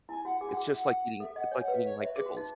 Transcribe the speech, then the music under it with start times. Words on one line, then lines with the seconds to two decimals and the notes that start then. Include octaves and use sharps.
It's just like eating, it's, like, eating, like, pickles.
0.09 E4 G#5
0.25 F#4 F#5
0.40 G#4 G#5
0.49 F#4
0.53 G#4 F#5
0.64 E5
0.75 F#5
1.20 A4 E5
1.36 D#5 F#5
1.52 C#5 G#5
1.62 F#5
1.68 B4 E5
1.84 C#5
2.00 B4 E5
2.16 G#4 B4
2.26 F#4
2.31 B4
2.37 D#4